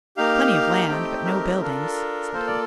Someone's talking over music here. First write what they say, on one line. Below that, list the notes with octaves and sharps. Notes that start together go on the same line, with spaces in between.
"Plenty of land, but no buildings," said he.
A#3 D#4 G4 F5
A3 C4 D#4 G4 G5
A#4
D4 F4 A4 A#4
A#3 F4 A4 C5
D5